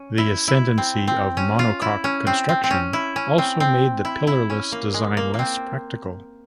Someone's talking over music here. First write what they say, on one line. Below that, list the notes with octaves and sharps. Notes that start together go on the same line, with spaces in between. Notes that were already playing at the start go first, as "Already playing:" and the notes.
The ascendancy of monocoque construction also made the pillarless design less practical.
Already playing: C#4
E4
E4
C4
C4
C#4
F4
E4
C#4
C4
C4
C4
C#4
E4
C#4
C4
C4
E4
E4
C#4
A#3
G#3
A#3
A#3
C4